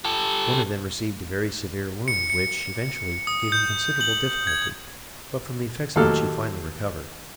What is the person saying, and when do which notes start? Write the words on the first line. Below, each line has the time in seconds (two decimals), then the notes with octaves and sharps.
One of them received a very severe wound; which, eventually, gave him considerable difficulty; but from the effects of which he finally recovered.
0.05 G4 A4
2.08 C#7
2.30 C#7
3.27 D#6
3.52 G6
4.01 F#7
4.47 G#6
5.96 D#2 A2 F#3 G4 A4 F6